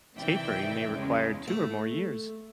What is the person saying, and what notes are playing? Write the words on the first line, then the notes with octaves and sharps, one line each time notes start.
Tapering may require two or more years.
C3 D#3 E3 D5 E5 G5
E2 C#3 G#3
A3